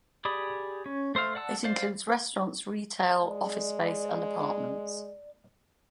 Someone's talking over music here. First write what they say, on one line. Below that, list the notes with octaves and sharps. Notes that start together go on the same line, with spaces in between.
It includes restaurant, retail, office space and apartments.
G4 G#4 D5 B5 D#6
C#4
A3 C5 E5 F5
D5 F#5 A5 E6
C5 D5 F5
G#3 D5